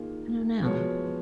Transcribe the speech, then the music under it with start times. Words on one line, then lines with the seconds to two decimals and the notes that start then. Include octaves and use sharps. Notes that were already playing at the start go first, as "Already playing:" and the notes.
I don't know.
Already playing: D#3 A#3 F4 G#4
0.62 F3 G#3 B3 F#4 C#5